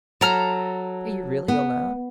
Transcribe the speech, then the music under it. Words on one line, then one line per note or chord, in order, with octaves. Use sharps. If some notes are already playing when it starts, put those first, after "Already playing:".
Are you really alone?
F#3 A4 A#5 F6
B3